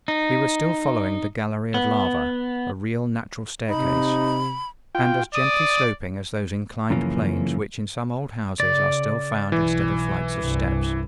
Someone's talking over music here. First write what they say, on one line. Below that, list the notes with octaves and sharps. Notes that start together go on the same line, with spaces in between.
We were still following the gallery of lava, a real natural staircase, and as gently sloping as those inclined planes which in some old houses are still found instead of flights of steps.
D#4
B3
C3 D#4 B5
F4 G5
D5 D#6
F#2 C#3 E3 F3 A#3 C#4
C#3 D5
B1 E3
C2 G2